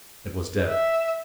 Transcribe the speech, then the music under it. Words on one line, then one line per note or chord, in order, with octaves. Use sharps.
It was dead.
E5